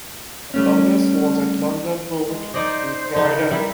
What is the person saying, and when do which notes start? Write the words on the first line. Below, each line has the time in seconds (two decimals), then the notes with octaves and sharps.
The terminus was at London Road in Croydon.
0.54 G3 A3 C#4
2.23 G#3
2.54 D#4 C5 D5 D#5
3.16 C#3 D#4
3.51 G3 E4 A#4